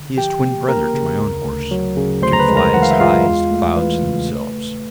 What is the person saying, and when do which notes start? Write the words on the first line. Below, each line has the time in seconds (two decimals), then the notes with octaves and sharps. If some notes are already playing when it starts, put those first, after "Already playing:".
He is twin brother to my own horse, and can fly as high as the clouds themselves.
Already playing: D3
0.17 F3 G4 G5
0.43 A#3
0.68 A#3 A#4 A#5
0.94 C#3
1.20 D2
1.45 D2
1.71 F#3
1.97 C#3
2.22 D2 C5 C6
2.33 A#5
2.39 B4 B5
2.48 G#3
2.56 A#4 A#5
2.74 E3 F#5
2.83 F5
2.91 E5
3.00 G#3 F4 F5
3.25 E2
3.51 A3
3.76 E3 B4
4.02 C#3
4.28 A3
4.54 A3